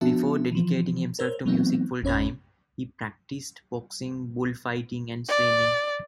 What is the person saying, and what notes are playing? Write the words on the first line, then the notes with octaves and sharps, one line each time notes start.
Before dedicating himself to music full-time, he practiced boxing, bullfighting and swimming.
F3 B3 D4 F#4 E5 A5
E3 F3
A#4 C5 C#5 E6
E3 F#3 A3 B3 C4 D#4
G#1 F2 C#4 C#5 B5
D5